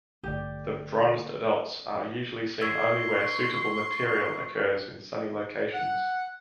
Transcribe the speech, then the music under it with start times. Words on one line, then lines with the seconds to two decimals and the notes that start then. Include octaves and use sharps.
The bronzed adults are usually seen only where suitable material occurs in sunny locations.
0.24 A1 G2 D3 A3 G4 D5
2.61 C6 C#6 E6 G#6
5.74 F#5